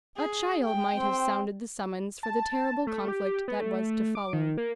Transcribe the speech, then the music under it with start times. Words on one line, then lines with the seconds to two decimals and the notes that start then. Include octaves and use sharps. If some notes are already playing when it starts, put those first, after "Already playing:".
A child might have sounded the summons for the terrible conflict that was to follow.
0.17 G#4
0.64 G5
0.96 C4
2.23 A5
2.87 A3
3.08 G4
3.48 B3
3.60 A3
4.15 D6
4.33 D#3
4.57 A#3